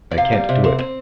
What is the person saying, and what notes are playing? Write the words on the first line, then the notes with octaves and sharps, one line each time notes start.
I can't do it.
D5
C3 F5
G3
C3
C4
C4